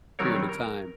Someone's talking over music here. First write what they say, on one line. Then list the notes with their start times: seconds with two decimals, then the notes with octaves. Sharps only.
period of time.
0.19 D#3 F#3 G3 C4 A#4 C#5
0.49 A#4